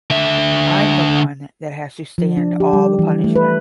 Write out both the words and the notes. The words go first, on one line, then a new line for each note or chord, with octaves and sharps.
I'm the one that has to stand all the punishment.
D3 E5
F3
D4
G4
G3
E3
A3
B4